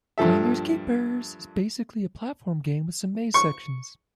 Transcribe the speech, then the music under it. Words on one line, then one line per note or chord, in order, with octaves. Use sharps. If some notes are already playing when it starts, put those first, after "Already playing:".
"Finders Keepers" is basically a platform game with some maze sections.
G2 A#2 F3 A4 E5
C#6